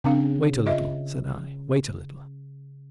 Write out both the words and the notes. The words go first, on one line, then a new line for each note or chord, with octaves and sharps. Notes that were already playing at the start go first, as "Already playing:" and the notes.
"Wait a little," said I, "wait a little."
C#3 C4 D4 F5
F4 D#5 E5